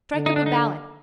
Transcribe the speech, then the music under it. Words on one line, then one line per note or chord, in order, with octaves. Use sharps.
Strike up a ballad.
D3
D#4
D4
D#4